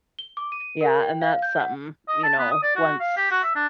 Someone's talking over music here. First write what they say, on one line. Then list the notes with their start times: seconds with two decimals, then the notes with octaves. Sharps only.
Yeah, and that's something, you know, once
0.19 G7
0.37 D6
0.52 D#7
0.81 A#4
1.03 G5
1.21 F5
1.42 G6
1.60 F#5
2.08 D#5
2.23 A5
2.39 B3
2.51 D#6
2.63 D5
2.76 F#4
3.00 F5
3.17 G4
3.31 F#4
3.43 E5
3.55 D4